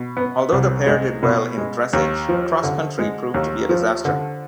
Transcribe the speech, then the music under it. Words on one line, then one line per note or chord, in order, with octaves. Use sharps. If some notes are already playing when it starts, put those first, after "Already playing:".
Although the pair did well in dressage, cross country proved to be a disaster.
Already playing: B2
B3
C2
G#3
B2
G#3
D#2
F3
D3
G#3
D#2
F3
D3